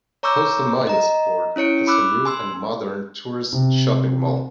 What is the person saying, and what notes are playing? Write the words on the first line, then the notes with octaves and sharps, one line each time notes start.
Costa Maya's port has a new and modern tourist shopping mall.
C#5 A#5 C#6 D6 E6 G6
D#5 A#5
C#4 E4 C#5 C#7 D7
B5 D6 E6 F#6
G#5 C6 E6
C3